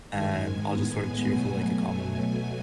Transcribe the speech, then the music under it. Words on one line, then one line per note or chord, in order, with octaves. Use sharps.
and I'll just sort of cheer for like a common
G#2 D#3 G#3 G#5
G#5
A2 G#3 B3
B2 F#3 A3
G#5